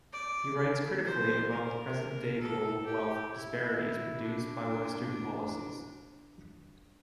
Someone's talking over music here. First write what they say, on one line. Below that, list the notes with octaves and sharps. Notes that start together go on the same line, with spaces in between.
He writes critically about the present-day global wealth disparities produced by Western policies.
D5
C5
A#4
A4
G4
E4
D4